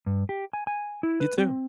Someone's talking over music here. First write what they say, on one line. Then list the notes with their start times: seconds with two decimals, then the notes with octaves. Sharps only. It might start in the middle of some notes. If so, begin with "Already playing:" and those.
You too.
0.06 G2
0.29 G4
0.53 G#5
0.67 G#5
1.03 E4
1.20 B4
1.38 C4